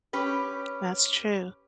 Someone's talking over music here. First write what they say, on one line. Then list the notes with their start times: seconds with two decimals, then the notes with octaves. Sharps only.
That's true.
0.13 C#4 G4 B4